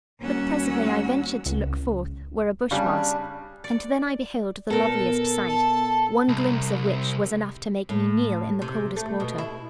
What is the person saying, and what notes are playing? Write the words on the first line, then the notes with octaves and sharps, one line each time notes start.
But presently I ventured to look forth where a bush was; and then I beheld the loveliest sight--one glimpse of which was enough to make me kneel in the coldest water.
D#2 G3 C#4 F#4 F#5 E6
C#2
C#3 G3 D4
D5
A#2 B3 A4 A#4
A5
C2
A2
C3
A3
B2
E4